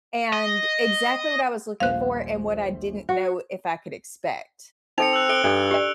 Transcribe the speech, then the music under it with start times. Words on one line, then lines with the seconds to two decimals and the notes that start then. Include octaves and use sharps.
and exactly what I was looking for, and what I didn't know if I could expect.
0.33 D#5
1.80 D#1 A#1 C5 F5 F#6
3.09 F#4
4.98 C4 D#4 A4 C#7 F7
5.13 E6 F#6
5.29 A4 F#6 D7 G7
5.44 G2 D4 A4
5.71 G4 D5